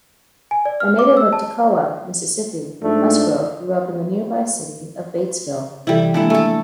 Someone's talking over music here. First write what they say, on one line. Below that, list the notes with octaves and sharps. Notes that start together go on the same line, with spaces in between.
A native of Tocowa, Mississippi, Musgrove grew up in the nearby city of Batesville.
G#5
D5
F6
D6
E6
A5
G#2 F3 A3 D4
C3 E3 G3 E4 A4
F3 G#3 A#3 D4 E4 A4
A3 A4 G#5 E6